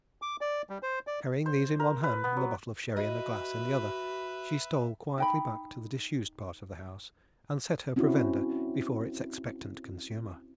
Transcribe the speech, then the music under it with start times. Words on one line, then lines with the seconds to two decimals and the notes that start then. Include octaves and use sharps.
Carrying these in one hand, and the bottle of sherry and a glass in the other, she stole quietly back to the disused part of the house, and set her provender before its expectant consumer.
0.22 D6
0.41 D5
0.70 G3
0.83 C5
1.07 D5
1.46 C5
1.80 A#4
2.04 B4
2.24 B3
2.37 F#3
2.97 F#4 B4 D#5 E5
5.18 D#4 G5 B5
7.96 C4 C#4 E4 F#4